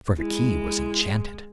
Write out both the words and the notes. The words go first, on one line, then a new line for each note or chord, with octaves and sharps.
For the key was enchanted.
G#3 E4